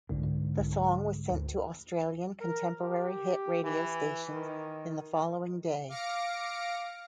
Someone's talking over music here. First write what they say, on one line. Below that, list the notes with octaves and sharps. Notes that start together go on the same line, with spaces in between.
The song was sent to Australian contemporary hit radio stations in the following day.
C2 G#2 D3
C2
D2
A#4
G4
E3
D#3
F5 D6 F6 A#6 C#7 D7